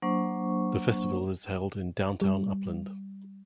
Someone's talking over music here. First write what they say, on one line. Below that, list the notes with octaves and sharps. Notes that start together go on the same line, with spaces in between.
The festival is held in downtown Upland.
F#3 A#3 D4 C5 C#6
G3